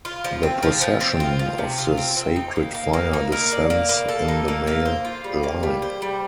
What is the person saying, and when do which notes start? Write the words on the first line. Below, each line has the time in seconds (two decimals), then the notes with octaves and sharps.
The possession of the sacred fire descends in the male line.
0.05 F4
0.24 F3
0.43 C4
0.63 F3
0.81 F3
1.01 C4
1.20 F4
1.39 F3
1.58 C3
1.78 F4
1.98 C4
2.17 C4
2.36 D#4
2.56 A#3
2.75 A#3
2.93 A#3
3.13 D#4
3.32 A#3
3.52 D5
3.70 A#3
3.89 A#3
4.09 A4
4.28 D#4
4.48 A#3
4.67 A#3
4.86 C5
5.05 F4
5.24 G3
5.43 A#3
5.63 G3
5.82 C5
6.02 G3